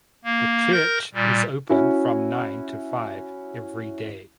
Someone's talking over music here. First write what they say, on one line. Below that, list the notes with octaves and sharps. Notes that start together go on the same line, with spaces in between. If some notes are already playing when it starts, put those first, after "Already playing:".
The church is open from nine to five every day.
A#3
A#4 G6 A#6
A#2 G3
C#4 E4 F#4